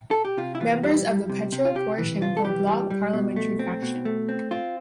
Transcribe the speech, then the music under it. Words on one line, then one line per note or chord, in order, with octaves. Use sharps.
Member of the Petro Poroshenko Bloc parliamentary faction.
A4
G4
C3 F4
E4
E3 F4
G3 E4
G3
C3
C3
F4
C3 G4
E3
C2 F4
A4
E3 G4
G3
G3
B2
A3
C4
B2
A3
C4
C4 F4